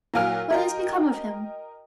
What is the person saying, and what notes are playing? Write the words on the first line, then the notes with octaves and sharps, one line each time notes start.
"What has become of him?"
A#2 F#3 E4 F5 G#5 F6
F#4 A#4 D#5 G5